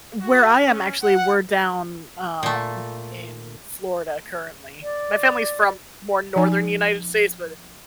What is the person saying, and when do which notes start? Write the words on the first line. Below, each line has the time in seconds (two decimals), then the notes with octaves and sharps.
where I am actually, we're down, um, in Florida currently. My family's from more Northern United States, but, uh,
0.21 F#4
0.60 C#4
1.03 F#5
2.43 A#2 A3
4.83 D5
6.36 F3 D#4 G#5